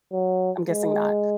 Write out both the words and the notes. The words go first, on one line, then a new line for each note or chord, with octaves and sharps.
I'm guessing not.
F#3
G#3